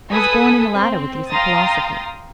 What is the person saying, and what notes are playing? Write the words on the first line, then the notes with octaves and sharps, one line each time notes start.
It was borne in the latter with decent philosophy.
A4 B4 G#5 D#6 B6
C4
F5 G5 A#5 C6 D#6 A6